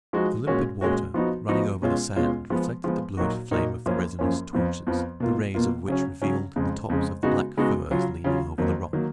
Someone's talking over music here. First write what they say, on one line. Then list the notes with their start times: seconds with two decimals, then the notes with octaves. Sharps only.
The limpid water, running over the sand, reflected the bluish flame of the resinous torches, the rays of which revealed the tops of the black firs leaning over the rock.
0.13 F3 G#3 D#4 F#4
0.47 A#2 G#3 C#4 F#4
0.81 A#2 G#3 C#4 F#4
1.14 F3 B3 D#4 F#4
1.49 F3 B3 D#4 F#4
1.82 B2 G#3 C#4 F4
2.16 B2 G#3 C#4 F4
2.50 F3 G#3 B3
2.84 F3 G#3 B3
3.17 A#2 F#3 A#3 D#4 F#4
3.51 A#2 F#3 A#3 D#4 F#4
3.86 F#2 F3 A#3 C#4
4.19 F#2 F3 A#3 C#4
4.53 F2 F3 B3
4.87 F2 F3 B3
5.20 B2 A#3 F4
5.55 B2 A#3 F4
5.88 C#3 F#3 C#4
6.22 C#3 F#3 C#4
6.56 F2 C#3 G#3
6.90 F2 C#3 G#3
7.23 C#3 G#3 B3 D#4 F#4
7.57 C#3 G#3 B3 D#4 F#4
7.91 C#3 F#3 C#4 F4
8.24 C#3 F#3 C#4 F4
8.58 F2 D#3 F#3 A#3
8.93 D#3 F#3 A#3